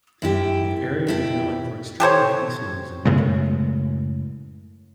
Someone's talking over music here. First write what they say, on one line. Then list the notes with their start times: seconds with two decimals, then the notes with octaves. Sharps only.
The area is known for extremely heavy snows in winter.
0.22 F#2 E4 G4
1.07 F2 E4 G4
2.00 G4 A4 C5 C#5
3.05 F#2 A2 C#3 G#3